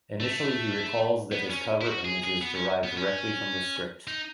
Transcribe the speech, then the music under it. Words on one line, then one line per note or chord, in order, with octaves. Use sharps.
Initially, he recalls that his cover images derived directly from the script.
A3
B3
C#4
E4
F#4
G#4
G#4
B3
C#4
B3
C#4
D#4